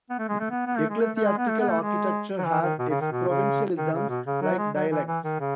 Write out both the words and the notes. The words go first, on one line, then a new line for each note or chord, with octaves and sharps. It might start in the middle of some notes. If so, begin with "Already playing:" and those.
Ecclesiastical architecture has its provincialisms, like dialects.
B3
A3
G#3
A3
B3
B3
A3
G#3
A3
A3
G#3
B3
A3
B3
A3
G#3
F#3
E3
D#3
B2
C#3
D#3
B2
C#3
D#3
C#3
B2
C#3
F#3
G#3
F#3
E3
E3
D#3
C#3